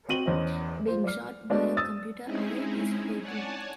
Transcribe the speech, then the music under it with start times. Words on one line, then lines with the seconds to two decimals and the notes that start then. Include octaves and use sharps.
Being shot by a computer eye is fatal.
0.09 C4 F#4 D#7 F#7 G7
0.26 E2 C#4 C5 D#5
0.87 F4 C5
1.04 D5 F6
1.50 G#3 B3 D4 F#4 D5 D#5
1.77 D#6 E6 A6
2.25 G#3 C4 C#4 D#4 E4 G#4
3.20 C#5 D5 F#5 G#5 A5